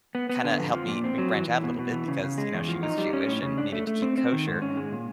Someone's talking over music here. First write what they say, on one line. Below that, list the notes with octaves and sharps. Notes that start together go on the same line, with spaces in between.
kinda helped me me branch out a little bit because, you know, she was Jewish and needed to keep kosher.
B3
B3
D3
F2
F3
A#2
C4
F#3
E3
E3
B2
B2
E3
C#3
C#3
G#3
E2
F3
D#4
G3
C#4
A2
C#3
D4
A3
A3
C4
C4
D#3
G#2
C#4
G#3
A#2